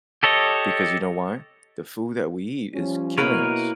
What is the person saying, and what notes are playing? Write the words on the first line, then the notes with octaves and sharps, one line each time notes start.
Because you know why? The food that we eat is killing us.
G4 A4 C#5 D#5
F3 G3 C#4
B2 A#3 B3 E4 A#4 B4 C#5